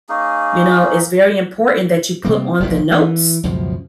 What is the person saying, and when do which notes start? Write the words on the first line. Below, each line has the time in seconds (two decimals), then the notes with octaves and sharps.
you know, it's very important that you put on the notes
0.09 A#3 C#4 D#4 G#4
2.25 C3 G3 A#3
2.59 F1 A#1 D#2 A#2
2.92 E3
3.43 C#2 F#2 B2 F3